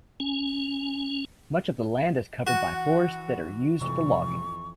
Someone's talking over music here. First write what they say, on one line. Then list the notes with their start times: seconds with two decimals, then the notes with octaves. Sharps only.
Much of the land is covered by forests that are used for logging.
0.20 C#4
2.47 E3 F#4 F#5
3.81 F1 F2 G#2 C3 E3 C#6